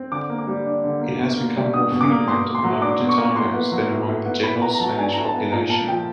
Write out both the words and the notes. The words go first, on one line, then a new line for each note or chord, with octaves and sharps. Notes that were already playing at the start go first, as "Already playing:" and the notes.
It has become more frequent among Gitanos than among the general Spanish population.
Already playing: C4
D3 D6
A#3
D6
G3
D4
D3
A#3
B2
A#3
G3
D4 D#6
B2
D6
A#3
B2 C6
A#3
C6
F#3
D4 D6
B2
C#6
A#3
A2 C6
B3
F#3
A2
A2
B3
A2 B5
B3 A#5
A#5
F#3 A5
D4 G#5
A2 A#5
A5
B3
A#2 A#5
A#3 A5
F3 G5